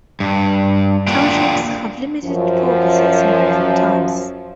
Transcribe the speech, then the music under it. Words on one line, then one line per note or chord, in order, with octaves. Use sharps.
Townships have limited purposes in modern times.
G2
A#3 D4 F4 F#5 G5
F#2 F3